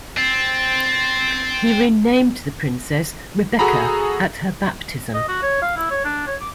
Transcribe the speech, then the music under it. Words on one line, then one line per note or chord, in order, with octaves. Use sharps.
He renamed the princess "Rebecca" at her baptism.
C4 A6
F#4 G#4 A4 A#5 B5
D#5
F#4
C#5
F5
E4
C#5
D4
C#5
D6